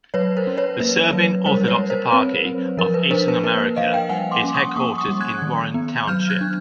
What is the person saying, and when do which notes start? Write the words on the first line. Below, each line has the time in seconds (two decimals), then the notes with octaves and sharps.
The Serbian Orthodox Eparchy of Eastern America is headquartered in Warren Township.
0.14 F#3 B4 C#5
0.37 A#4 C5
0.47 C#4
0.57 B4 C#5
0.80 A#3 B4
1.13 F#3 B4
1.46 G3 A#4 C5
1.68 B4 C#5
1.79 G3
1.90 A#4 C5
2.12 C4 B4
2.45 C4
2.77 F3 A#4
2.94 B4
3.10 D4 A#4 C5
3.28 B4
3.44 A#3 A#4
3.60 B4
3.76 F3 D#5 F5
3.93 F5 G5
4.09 G3 F#5 G#5
4.31 C6 D6
4.44 C#4
4.54 C#6 D#6
4.76 A#3 C#6 D#6
4.98 C#6 D#6
5.09 G3
5.21 F#6 G#6
5.42 D#3
5.74 B3
6.08 F#3 F6 G6
6.30 F#6 G#6
6.41 D4